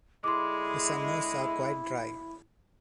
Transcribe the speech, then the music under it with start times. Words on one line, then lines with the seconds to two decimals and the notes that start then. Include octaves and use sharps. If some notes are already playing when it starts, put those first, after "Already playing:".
The summers are quite dry.
0.24 D3 G#3 E4 C6 D6